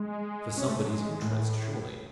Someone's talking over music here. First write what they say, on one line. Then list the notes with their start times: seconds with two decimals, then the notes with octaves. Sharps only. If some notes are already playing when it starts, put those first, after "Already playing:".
For somebody's interest, surely.
Already playing: G#3
0.57 C#4
0.69 A3
0.79 A3
0.85 F#3
0.90 G#3
1.22 A2